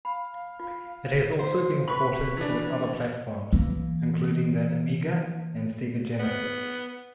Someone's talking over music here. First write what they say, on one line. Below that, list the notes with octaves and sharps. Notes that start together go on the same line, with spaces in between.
It has also been ported to other platforms, including the Amiga and Sega Genesis.
F5 B5
F4
C5
B4 B5 C#6
E3 D4
E3 A#3
B3